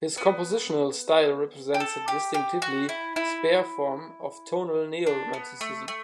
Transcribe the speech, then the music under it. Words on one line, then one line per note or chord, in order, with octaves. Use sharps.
His compositional style represents a distinctively spare form of tonal neo-Romanticism.
B3
G4
A4
G4
G4
F#4
E4
E4
D4
B3
A3
A3